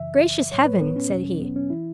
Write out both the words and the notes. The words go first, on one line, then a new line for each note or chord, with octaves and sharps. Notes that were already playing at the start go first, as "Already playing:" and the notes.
"Gracious Heaven!" said he.
Already playing: F#2 C#3 E3 E5
A2 F#3 C#5
B4
B3
C#4
E2 B2 F#3
B3
C#4
E3 E4